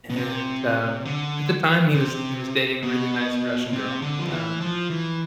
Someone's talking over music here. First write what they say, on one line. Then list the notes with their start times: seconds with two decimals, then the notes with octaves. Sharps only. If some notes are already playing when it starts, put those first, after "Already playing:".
And, um, at the time, he was he was dating a really nice Russian girl, um,
0.10 B2
0.16 C3
1.05 D3
1.94 C3
2.83 B2
3.72 C3
4.02 D3
4.19 F3
4.31 E3
4.61 F3
4.90 E3